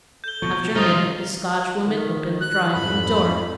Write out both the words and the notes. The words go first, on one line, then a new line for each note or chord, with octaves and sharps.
After a minute the Scotchwoman opened the drawing-room door.
A4 G6 G7
B2 F3 C#6
D#3 G3 D#4 F4 C5 D#6 F6
D#3
F#6
F2 G#2 B5